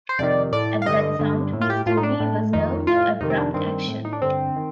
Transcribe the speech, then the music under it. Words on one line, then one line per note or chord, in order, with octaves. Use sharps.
At that sound Mr. V. was nerved to abrupt action.
C5
F2 C3 D#3 D5
A2 D5
F5
G2 D3 D#5
G2 D3
A2
F4
G4
A2 F4
D#4
D4
A2
F2 D#3 D#4
A2 F4
F2 C3 D#3 D#4
C4
D4
G2 D#3 C4
A2
D#4
D4
G2 D3 C4
D#3